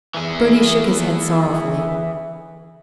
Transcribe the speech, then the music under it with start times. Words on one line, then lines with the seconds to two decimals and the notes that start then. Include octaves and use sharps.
Bertie shook his head sorrowfully.
0.14 E3 G#4